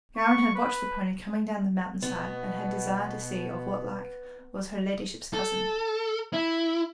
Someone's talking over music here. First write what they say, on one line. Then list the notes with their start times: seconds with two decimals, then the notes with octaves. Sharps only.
Gowran had watched the pony coming down the mountain-side, and had desired to see of what like was "her leddyship's" cousin.
0.17 C#6
0.55 B4
2.02 B2 B3
5.33 A4
6.33 E4